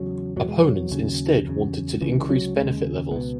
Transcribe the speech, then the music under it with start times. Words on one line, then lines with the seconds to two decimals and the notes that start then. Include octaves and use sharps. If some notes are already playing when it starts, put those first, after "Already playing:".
Opponents instead wanted to increase benefit levels.
Already playing: E2 C#3 F#3
0.36 E2 B2 F#3
0.49 G#3
0.61 F#3
0.91 D#2 C#3
1.47 E2 C#3
2.01 C#2 C#3 E3
2.29 F#3
2.56 D#2 C#3 G#3
3.11 C#2 B2 B3